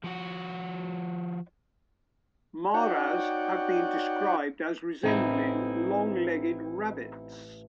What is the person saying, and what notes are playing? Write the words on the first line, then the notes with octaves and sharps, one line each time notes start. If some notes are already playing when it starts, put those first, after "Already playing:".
Maras have been described as resembling long-legged rabbits.
F3 F#4
D#4 F#4 C#5 D5 F#5 G5
A1 C4 D#4 E4